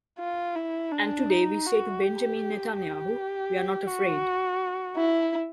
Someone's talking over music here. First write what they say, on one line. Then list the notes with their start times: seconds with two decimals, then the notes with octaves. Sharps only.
And today we say to Benjamin Netanyahu: We are not afraid.
0.19 F4
0.56 E4
0.92 D4
1.30 D#4
1.67 F#4
2.03 G4
2.76 G4
3.87 F#4
4.97 E4